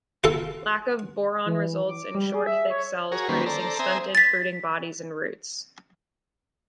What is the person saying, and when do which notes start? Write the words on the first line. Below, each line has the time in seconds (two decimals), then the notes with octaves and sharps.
Lack of boron results in short thick cells producing stunted fruiting bodies and roots.
0.24 F4 A4
1.46 E3
1.89 D6
2.15 G3
2.34 G#4
2.47 E5
2.70 C#5
3.12 F#4 G#4 A#4 C#5
3.28 D#3 G3 A#3 C#4 B4 C5
3.46 A4 C5 D5 A#5
3.79 C4 C5 E5 G#5 A#5 D#6
4.15 A6 B6